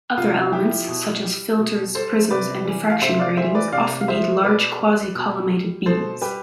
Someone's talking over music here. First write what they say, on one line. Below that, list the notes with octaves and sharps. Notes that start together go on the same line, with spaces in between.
Other elements, such as filters, prisms and diffraction gratings often need large quasi-collimated beams.
C3 F4
F3 E4 G4
B2
G3
B2
G3 A4 C5
C3 B4 D5
E3 G3
F5
C3 C5 E5
D5 F5
E3 G3 C5 E5
B4 D5
C3 D5 F5
F5
F3 C5 E5
B2 B4 D5
G3
B2
G3
B2 A4 C5
G3 G4 B4